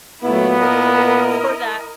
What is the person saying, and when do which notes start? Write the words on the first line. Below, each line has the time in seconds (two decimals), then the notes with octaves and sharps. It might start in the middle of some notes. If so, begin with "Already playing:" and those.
for that
0.24 A#2 F#3 A3 B3 E4
0.61 E4 A#4 D#5